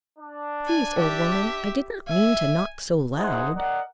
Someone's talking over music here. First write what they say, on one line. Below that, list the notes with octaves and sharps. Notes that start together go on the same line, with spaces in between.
"Please, old woman, I did not mean to knock so loud."
D4
G#5
G4 E5
E5 G#5
D#4 E4 G#4 C5 D#5 F#5
A#4 D5 D#5 F#5